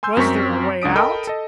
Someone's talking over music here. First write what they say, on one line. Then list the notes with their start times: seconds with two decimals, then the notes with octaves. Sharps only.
Was there a way out?
0.03 G#5 C6 E6 G6
0.17 F#2 C4 A#4 C#6 B6
0.82 C#2 D4 D#6 D7
0.96 A4 A#4 D#5 G5 B5
1.27 A4 D#5